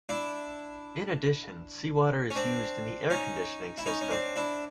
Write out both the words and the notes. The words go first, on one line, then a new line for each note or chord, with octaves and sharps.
In addition, seawater is used in the air-conditioning system.
D4 E4
C#4
C4 D4
C#4 D#4
E4
C#4 D#4
C#4
C4 D4
D4 E4